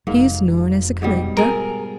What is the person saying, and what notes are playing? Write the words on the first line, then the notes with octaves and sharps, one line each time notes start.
"He is known as a collector?"
F1 G#2 F#3 A#3
G#2 B2 G3
G#4 A#4